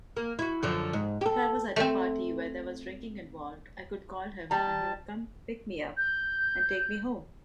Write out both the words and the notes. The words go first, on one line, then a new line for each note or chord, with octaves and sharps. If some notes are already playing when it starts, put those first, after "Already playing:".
If I was at a party where there was drinking involved, I could call him and he would come pick me up and take me home.
A#3
E4 F#4
F#2 D3 F3
G#2
G4 A4
A3 C4
G3 A5 A#5
G6